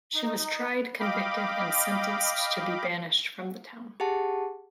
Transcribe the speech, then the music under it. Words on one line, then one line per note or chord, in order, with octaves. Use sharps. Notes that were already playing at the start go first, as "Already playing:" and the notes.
She was tried, convicted and sentenced to be banished from the town.
D#4
D#5 F5 G5 B5 D6
G4 G#4 F#5 A5